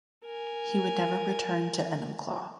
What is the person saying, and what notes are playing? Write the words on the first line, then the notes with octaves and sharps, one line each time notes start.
He would never return to Enumclaw.
A#4 G#5